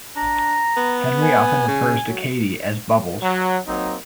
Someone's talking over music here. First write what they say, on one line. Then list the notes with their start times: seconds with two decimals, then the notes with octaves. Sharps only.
Henry often refers to Katie as Bubbles.
0.16 D4 A#5
0.77 B3
1.22 G#5
1.68 C#3
2.08 F#3
3.22 F#3
3.67 F#3 A#3 C4 D#4